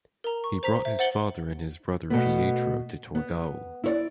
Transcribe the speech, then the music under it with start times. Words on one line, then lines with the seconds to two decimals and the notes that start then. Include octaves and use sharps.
He brought his father and his brother Pietro to Torgau.
0.24 A#4 A#5
0.44 C#6
0.63 C5 A#5 B6
0.85 C5 E5
0.99 C5 F#5 A6 C#7 F#7 G7
2.10 B2 A3 B3
3.15 B3
3.84 E4 C#5 D5